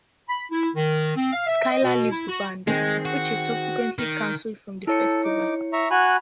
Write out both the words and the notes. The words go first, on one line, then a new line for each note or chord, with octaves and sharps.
Skyler leaves the band, which is subsequently cancelled from the festival.
B5
E4
D#3
C4
F5
E5
D#5
B2
E4
F#4
D#3 G#3 C4 G#4
F#4
D#3
E4 A4 C#5 C#7
D#4 D6
E5 A#5 C#6
F#4 G#5 B5 F#6